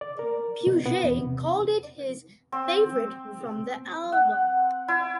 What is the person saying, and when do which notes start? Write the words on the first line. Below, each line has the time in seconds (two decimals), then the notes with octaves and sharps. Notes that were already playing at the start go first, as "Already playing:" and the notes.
Puget called it his favorite from the album.
0.01 D5
0.19 A#4
0.67 B2
0.86 B3
1.03 E2
1.18 C3
2.52 C4
4.12 F#5
4.88 E4